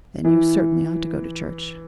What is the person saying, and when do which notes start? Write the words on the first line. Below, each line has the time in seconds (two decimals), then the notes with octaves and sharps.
"Then you certainly ought to go to church."
0.25 E3